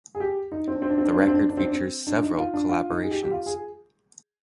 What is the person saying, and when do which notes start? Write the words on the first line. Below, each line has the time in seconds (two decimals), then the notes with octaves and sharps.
The record features several collaborations.
0.15 G#4
0.20 G4
0.52 D#4
0.68 C4
0.75 D4
0.82 C4
0.90 D4
0.98 C4
1.05 D4
1.12 C4
1.20 D4
1.27 C4
1.34 D4
1.42 C4
1.50 D4
1.57 C4
1.64 D4
1.72 C4
2.07 D4
2.22 D#4
2.38 F4
2.54 D4
2.69 F4
2.90 D#4
3.03 G#4
3.11 G4
3.23 G4
3.31 F4
3.46 G#4